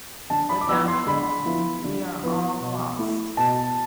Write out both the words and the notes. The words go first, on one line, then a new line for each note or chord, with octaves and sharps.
Without hope, we are all lost.
D3 A5
B5
D6
F3 B3 E4 E6
C6
D3 B5
F3 B3 E4
D3
F3 B3 E4
B2
A3 E4
B2 A5